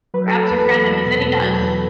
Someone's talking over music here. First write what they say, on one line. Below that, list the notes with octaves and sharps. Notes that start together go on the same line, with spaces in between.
Perhaps your friend in the city does.
F#3 B4
A4
F#3
B4
E2
B4
E2
E2
B2
E2
F#3
E2